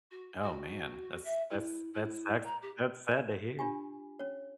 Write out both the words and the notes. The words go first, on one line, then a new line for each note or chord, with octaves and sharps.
Oh, man. That's that's that sucks that's sad to hear.
F#4
F#4
E5
E4
E4
A#5
G4
D4 F4 G4 G#5
C#4 C#5